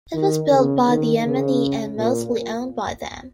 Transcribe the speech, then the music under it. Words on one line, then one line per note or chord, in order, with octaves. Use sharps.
It was built by the M and E and mostly owned by them.
D#3
C#3
D#3
C#3
A#2